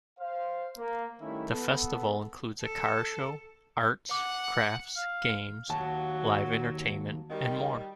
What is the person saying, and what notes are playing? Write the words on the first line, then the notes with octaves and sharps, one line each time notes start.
The festival includes a car show, arts, crafts, games, live entertainment and more.
C5 F5
A#3
D#3 G3 A3 C#4 E4
B3 A4
A4
F#5 D6
F5
D#2 F#3 F#4 A5
D#3 G3